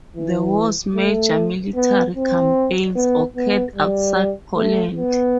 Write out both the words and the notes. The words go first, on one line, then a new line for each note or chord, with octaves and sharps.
The war's major military campaigns occurred outside Poland.
E3
A3
B3
C4
B3
B3
G3
A3
B3